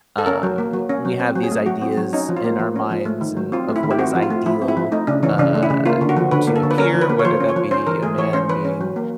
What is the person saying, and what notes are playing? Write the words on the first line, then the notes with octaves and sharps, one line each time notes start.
Um, we have these ideas in our minds and of what is ideal, uh, to appear, whether that be a man being
A4
C#4 A#4
F#3
A#3
F#3
C#4
F#3
C4
F#3
G#4
A3
F#3 F#4
C4
F#3
C#4 D#4
F3
F4
A#3
F3
C#4
F3
A3
D#3
F#3
C4 F4
A3
E4
D#3
G4
C4 F#4
F3
F4
A3
F3 E4
C4
E4
F3
A3 D#4
C#3 D4
E3 C#4
C#3 D4
A3
E4
C#3
A#3 F4
D3
F#4
F3
D3 B4
A#3
A4
D3
B4
C#4 A#4
F3
B4
A#3
C#5
F3 C5
C#4
C#5
F3
C#4 C5
E3 A#4
A3 G#4
E3 C#5
C#4 C5
E3 B4
C#4
F#3
A#3